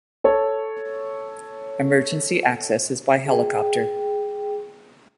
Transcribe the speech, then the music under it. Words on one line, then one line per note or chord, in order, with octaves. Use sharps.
Emergency access is by helicopter.
A4 C#5
G#4 G5